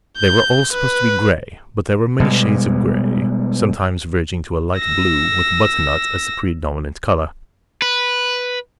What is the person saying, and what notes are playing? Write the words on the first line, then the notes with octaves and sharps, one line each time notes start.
They were all supposed to be gray, but there were many shades of gray, sometimes verging to a light blue, with butternut as the predominant color.
G6
B4
B2 G3 G#3
E6 A#6
B4